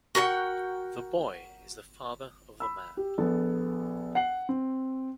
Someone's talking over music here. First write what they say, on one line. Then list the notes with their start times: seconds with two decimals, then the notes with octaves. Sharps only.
The boy is the father of the man.
0.15 F#4 A#4 F#5 G5
2.60 B5 E6
2.97 G4
3.18 A#1 B3 A4
4.15 F#5 C7 F#7
4.49 C4